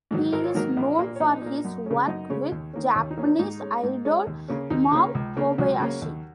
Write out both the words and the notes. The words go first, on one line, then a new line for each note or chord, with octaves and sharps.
He is known for his work with Japanese idol Mao Kobayashi.
G#2 D#3 F#3
G#1 A#4
C#5
G#2 D#3 F#3 A#3 A#4
A#1
A#2 A#3
C#5
A#1 D#4 D#5
A#2 A#3
F#2
C#3 G#3 C#4
F#2 D#4 D#5
C#3 G#3 C#4 C#5
D#2
D#3 A#3 C#4
D#2 C#4
D#4
D#3 A#3 C#4
D#4
G#2 D#4
G#3 C#4
G#2
G#3 C#4
D#2
C#3 A#3 C#4
D#2 D#4
C#3 A#3 C#4
C#2
C#3 A#3 C#4
C#2 F#3 F#4
C#3 A#3 C#4
D#2